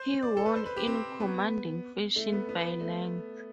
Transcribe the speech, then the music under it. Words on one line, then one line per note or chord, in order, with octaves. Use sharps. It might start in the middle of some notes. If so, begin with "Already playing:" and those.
He won in commanding fashion by lengths.
Already playing: C5
D5
A4
B4
C5
B4
G4
C4
B3
A3
B3
B3
A3